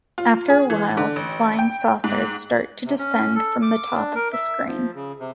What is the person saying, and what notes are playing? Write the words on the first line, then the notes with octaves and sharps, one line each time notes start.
After a while, flying saucers start to descend from the top of the screen.
F4
G#4
E3
D3
A1
G5
G#2
C3
C#4
A4
D6
D4
A#4
E5
F3
C#3
C3